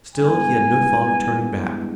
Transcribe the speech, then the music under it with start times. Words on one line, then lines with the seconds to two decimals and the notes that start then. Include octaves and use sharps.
Still he had no thought of turning back.
0.15 G2 E3 G#3 B3 G#5